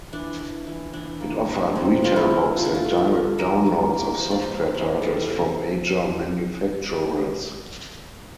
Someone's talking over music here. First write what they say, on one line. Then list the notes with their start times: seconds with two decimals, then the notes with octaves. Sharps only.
It offered retail box and direct downloads of software titles from major manufacturers.
0.13 E3 D4
0.39 E3
0.67 E3
0.93 E3 D4
1.21 A#3
1.48 E3
1.75 D3 C4
2.02 D3 F4
2.16 E4
2.30 D3
2.56 D3 F4
2.65 E4
2.75 F4
2.84 A3
2.97 A4
3.11 A3
3.39 E3 A#4
3.66 E3
3.93 A#3
4.20 A#3 C5
4.31 D5
4.42 E3 C5
4.74 E3
5.02 G3 A4
5.28 C3